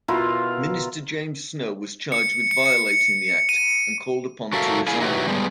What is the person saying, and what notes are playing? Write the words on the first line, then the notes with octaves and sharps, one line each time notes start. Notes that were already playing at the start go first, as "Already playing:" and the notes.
Minister James Snow was charged with violating the act, and called upon to resign.
B2 E4 F4 A#4
C#7
C#7
C#7
D#7
F#3 F#4 A4 A#4 E5 F5
E4 G#4 F5 G#5
D#4 E4 F#4 G4 B4 C#5
G3 G#3 B3